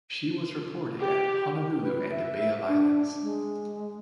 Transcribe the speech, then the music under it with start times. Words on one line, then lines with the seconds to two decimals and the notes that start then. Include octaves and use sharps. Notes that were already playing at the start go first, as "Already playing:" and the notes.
She was reported at Honolulu and Bay of Islands.
0.98 G4
1.83 B4
2.11 E5
2.68 D4
3.22 G#3